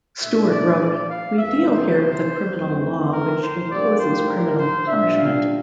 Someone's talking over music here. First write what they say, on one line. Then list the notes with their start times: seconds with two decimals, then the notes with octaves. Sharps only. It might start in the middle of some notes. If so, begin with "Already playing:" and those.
Stewart wrote, We deal here with a criminal law which imposes criminal punishment.
0.21 A#2 A3 D4 E5
0.50 D5
0.80 D5
1.08 F5
1.37 E2 C3 E3 E5
1.66 C5
2.53 F2 E3 A3 C4
3.12 A#4
3.41 C5
3.70 A2 G3 A#3 D4 D5
4.00 C5
4.28 A#4
4.58 C5
4.86 A#2 G3 D4 E5
5.16 F5